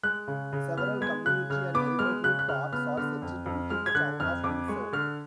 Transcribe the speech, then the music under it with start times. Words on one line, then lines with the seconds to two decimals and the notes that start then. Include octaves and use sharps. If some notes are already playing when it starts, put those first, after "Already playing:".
Several community and neighborhood parks are settled within the Town of Windsor.
0.03 G#3 F#6
0.28 C#3
0.53 C#3
0.77 B3 F6
1.01 G#3 G#6
1.26 C#3 F#6
1.50 C#3 F6
1.74 B3 D6
1.99 G#3 F6
2.24 C#3 F#6
2.39 F#6
2.48 C#3 F6
2.73 B3 F6
2.97 D3 F6
3.22 F2
3.46 F2
3.70 G#3 F6
3.86 G#6
3.95 D3 F#6
4.20 F2 F6
4.44 F2 D6
4.68 G#3 C#6
4.93 D3 F6